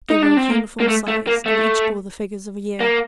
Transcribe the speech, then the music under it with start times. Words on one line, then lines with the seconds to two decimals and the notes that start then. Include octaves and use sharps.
They were of uniform size and each bore the figures of a year.
0.10 D#4
0.23 D4
0.37 C4
0.50 A#3
0.80 A#3
0.88 A3
1.08 A3
1.27 A#3
1.46 A3
2.81 A#3